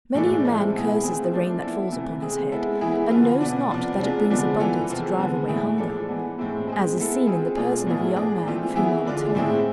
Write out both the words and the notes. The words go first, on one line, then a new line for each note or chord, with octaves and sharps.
Many a man curses the rain that falls upon his head, and knows not that it brings abundance to drive away hunger; as is seen in the person of a young man of whom I will tell you.
A2 E3 G#3 D4 A4
F3 G#3 C4 E4
B2 B3 E4 G#4
E3 A3 C4 G#4
F3 A3 D4
F3 B3 E4
C3 E3 A3
G#3 C4 G#4
G#3 B3 E4 A4
E3 B3 E4 G#4
D3 F3 B3 F4
B2 B3 D4
C3 F3 B3 D4
C3 G#3 D4 F4
D3 F3 G#3 B3 D4
E3 B3 F4 A4
C3 F3 G#3 C4
D3 G#3 B3
A2 E3 A3 E4 G#4
F3 G#3 D4 A4
E3 G#3 B3
A2 G#3 C4 E4
G#3 C4 G#4
G#3 B3 E4 A4
G#3 C4 F4 G#4
B2 A3 D4 F4 G#4
A2 F3 B3 E4 G#4
G#3 D4 G#4
E3 A3 C4 F4
E3 B3 E4 G#4
D3 G#3 D4 F4
A2 G#3 C4 E4 G#4